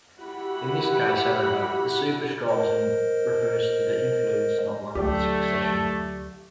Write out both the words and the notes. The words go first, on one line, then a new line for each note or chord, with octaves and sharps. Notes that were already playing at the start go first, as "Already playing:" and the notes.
In this case, however, the superstratum refers to influence, not language succession.
E4 F#4 G4 F#5 B5
A#4 C5 D#5
D2 F#3 A3 G4 D5 G5